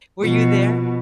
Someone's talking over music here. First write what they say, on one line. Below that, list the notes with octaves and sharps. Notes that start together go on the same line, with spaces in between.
Were you there?
B2 F3